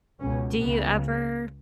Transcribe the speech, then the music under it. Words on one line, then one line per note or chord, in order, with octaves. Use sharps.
Do you ever
C#2 B2 C#4
C#2 C#3 B3